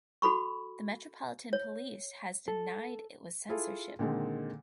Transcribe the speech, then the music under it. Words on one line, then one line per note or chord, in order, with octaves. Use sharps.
The Metropolitan Police has since denied it was censorship.
F#4 A4 B5 C#6
C#5
A4
E4 F4 G#4 A4
A#2 D3 D#3 G#3 C4